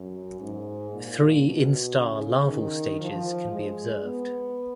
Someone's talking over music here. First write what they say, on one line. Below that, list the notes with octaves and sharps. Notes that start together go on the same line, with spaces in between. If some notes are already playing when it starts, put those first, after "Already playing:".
Three instar larval stages can be observed.
Already playing: F#2
G#2
A#2
B2
C#3
D#3
F3
G#3
B3